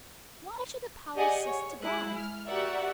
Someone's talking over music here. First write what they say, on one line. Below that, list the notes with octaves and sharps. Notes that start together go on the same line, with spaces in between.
Why should the Power cease to guide?
G4 G#4 D5 D#5 F#5 G#5
C#5
G#3 E4 G#4 F#6
F6
F#4 G4 A#4 D5 E5 F#5